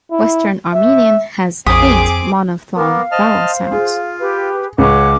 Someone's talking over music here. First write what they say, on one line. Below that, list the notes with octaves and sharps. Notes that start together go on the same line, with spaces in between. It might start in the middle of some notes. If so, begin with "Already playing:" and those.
Western Armenian has eight monophthong vowel sounds.
E4
E5
A#1 F2 C4 G#4 G#5 D6 D#6 B6
B3 A#4 F5 D6
C5 D#5 A5 F6
F4 G#4
G4 B4
C#2 C#5 F#5 C#6 D6